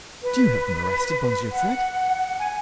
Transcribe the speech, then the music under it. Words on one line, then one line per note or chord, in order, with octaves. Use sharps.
"Did you have them arrested, Monsieur Fred?"
B4
F#5
G#5